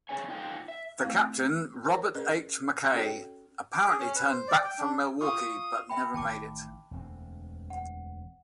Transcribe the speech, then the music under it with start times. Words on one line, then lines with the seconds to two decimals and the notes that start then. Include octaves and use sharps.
The captain, Robert H. McKay, apparently turned back for Milwaukee, but never made it.
0.09 C4 C#4 G#4 C#5 D5 G#5
0.28 C#4 D#4 F4 G5
0.68 E5
1.02 A3 C4 E4 F5
1.85 A#4 C5 C#5
2.15 C#4 G#4 A#4 B4 D5 D#5
2.93 C#4 F#4 A4 C#5 D#5 G5
3.72 D6
3.88 G#4
3.99 C#4
4.16 B4
4.28 C5
4.48 D5
4.65 G5
4.79 D4
5.21 F4 C#6 D#6
5.89 E5 G5 B5
6.14 A1 D#3 G5 A5 D6
6.91 E1 D2 C4
7.70 F#5